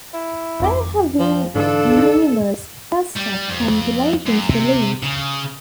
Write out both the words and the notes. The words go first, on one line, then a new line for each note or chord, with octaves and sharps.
There have also been numerous 'best of' compilations released.
E4
G#1 F2 D6
F3 C4
G#2 D3 E3 D4 F4 A4
D#4 D5
G3
F2
F#2
C3
C#3